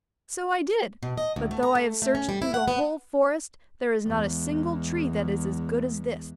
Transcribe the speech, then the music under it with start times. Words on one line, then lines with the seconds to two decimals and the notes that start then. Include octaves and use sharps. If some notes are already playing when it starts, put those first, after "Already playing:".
'So I did; but though I have searched through the whole forest, there is not a single tree that is as good as this.
1.03 B2
1.18 D#5
1.36 D2
1.51 A3
1.63 A#5
1.75 A3
2.02 A3
2.15 C#4
2.29 G3
2.42 E4
2.54 F#5
2.68 B3
4.05 E2 G#3